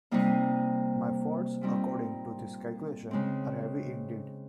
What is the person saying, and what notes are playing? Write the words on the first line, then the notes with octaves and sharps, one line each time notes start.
My faults, according to this calculation, are heavy indeed!
C3 G3 A#3 D#4
A#2 G3 C4 D#4
C#3 G#3 C4